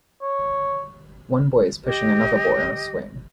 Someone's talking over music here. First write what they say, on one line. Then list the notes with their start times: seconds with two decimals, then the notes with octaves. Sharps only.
One boy is pushing another boy on a swing.
0.22 C#5
1.84 G4 D#5